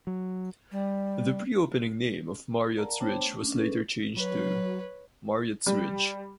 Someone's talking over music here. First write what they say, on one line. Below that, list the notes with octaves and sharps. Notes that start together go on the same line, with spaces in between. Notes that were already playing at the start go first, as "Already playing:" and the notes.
The pre-opening name of Marriott's Ridge was later changed to Marriotts Ridge.
F#3
G3
A#4 D5 F5 F#5 A5 A#5
B3 D4 C5 C#5 G5 A5
A3 C#4
C#4 D4
C#4 D4 G#4 A4 B4
F#3 B4 C#5
G3